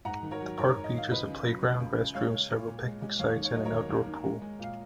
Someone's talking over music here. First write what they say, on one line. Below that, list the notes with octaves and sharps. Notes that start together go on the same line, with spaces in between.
The park features a playground, restrooms, several picnic sites and an outdoor pool.
G#2 F#5 A#5
D#3
A#4 C#5
F#3
G#2 A#4 C#5
G#2
D#5
D#3
F5
C#2 B4 D#5
C#3
F#3
C#2
C#2
C#3
G#3 C#5 F5
G#3
A#2
A#2
G#3
G#3
D#2 C#5 F5
D#3
C#5
F#3 D#5
A#4 C#5
D#2
D#2
D#3
G#3
G#3
A#2 F5